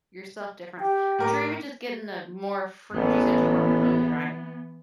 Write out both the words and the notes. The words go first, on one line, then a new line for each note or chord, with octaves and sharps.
yourself difference. I'm sure even just getting the more fri 'cause you said you work remotely, right?
G4 G5
A2 A#4 D6
A1 E3 B3